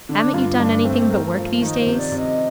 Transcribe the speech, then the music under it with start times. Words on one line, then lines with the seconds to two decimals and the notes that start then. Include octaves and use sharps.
'Haven't you done anything but work these days?'
0.09 D3 D4
0.34 G2 F4
0.60 G2 D4
0.85 A3 C4
1.10 A#4
1.35 F3
1.61 D#3 D#4
1.80 C5
1.86 C3
1.99 D5
2.12 C3
2.18 D#5